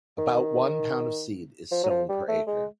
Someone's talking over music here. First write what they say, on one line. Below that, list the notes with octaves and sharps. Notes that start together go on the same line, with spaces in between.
About one pound of seed is sown per acre.
D#3
F3
F#3
F3
G3
A3
G#3